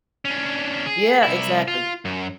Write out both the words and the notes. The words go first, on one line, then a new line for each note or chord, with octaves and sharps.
Yeah, exactly.
C#4 D4
G#4
C2 E4
F4
F#2